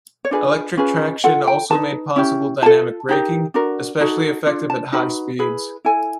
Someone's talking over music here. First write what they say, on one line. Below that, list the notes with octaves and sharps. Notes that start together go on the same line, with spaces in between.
Electric traction also made possible dynamic braking, especially effective at high speeds.
C#5
D4 F4 G#4 B4 C5
C#4 F4 G#4 B4
F4 A4 F#5
G5
D#4 G#4 B4 A5
C#4 E4 G4
F4 A4 A5
D#4 G4 A#4
D4 F#4 A#4
D#4 F#4 A4
D4 F4
A5
D#4 F#4 B4
E4 G#4 B4
E4 A4 G#5